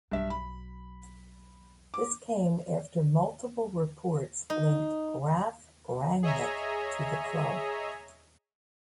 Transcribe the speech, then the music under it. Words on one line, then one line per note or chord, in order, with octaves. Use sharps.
This came after multiple reports linked Ralf Rangnick to the club.
B1 G2 F#3 E5
B5
D6
D#4
G#4 C#5 D#5 E5 G#5 A#5